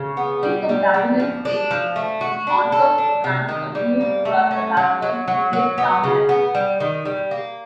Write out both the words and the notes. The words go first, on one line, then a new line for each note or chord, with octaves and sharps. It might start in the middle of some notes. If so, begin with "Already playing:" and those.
East of Babylon station, the Montauk Branch continues across the Babylon-Islip Town Line.
Already playing: C#3
B3
G3
G3
G3
F3
D4
F3
A3
F#4
D4
A4
D4
C3
D#3
G3
A#3
A3
C#4
F#3
F#3
F#3
F#3
B3
C#3
B3
G3
D#3
G3
A#3